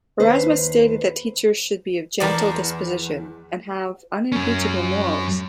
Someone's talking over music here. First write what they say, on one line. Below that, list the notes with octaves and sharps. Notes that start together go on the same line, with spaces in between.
Erasmus stated that teachers should be of gentle disposition and have unimpeachable morals.
D#2 B4 C5
E2 A#4 B4 D5 A5
F#2 C#4